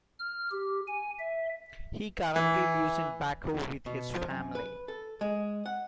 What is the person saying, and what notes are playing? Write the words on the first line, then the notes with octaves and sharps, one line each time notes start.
He currently lives in Baku with his family.
F6
G4
G#5
E5
E3
B2
F3
F#2
B4
A4
G#3
F#5